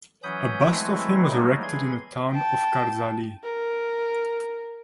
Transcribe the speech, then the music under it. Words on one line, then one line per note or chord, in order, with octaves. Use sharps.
A bust of him was erected in the town of Kardzhali.
E3 F#3 C#4 B5 D#6 G6
E3 F#3 G#3 A3 C4 E4
F#3 G3 A3 A#3 D#4
E3 G#4 C6 G#6
G5 A5
A#4